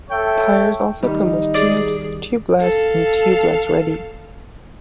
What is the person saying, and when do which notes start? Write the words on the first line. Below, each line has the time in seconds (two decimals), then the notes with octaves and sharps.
Tires also come with tubes, tubeless and tubeless-ready.
0.11 A4 C#5 E5 G5
1.03 D#3 G3 D#4
1.54 G#4 D5
2.61 A4 F5